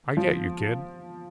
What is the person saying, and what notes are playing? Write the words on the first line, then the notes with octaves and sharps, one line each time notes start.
"I get you, kid."
F3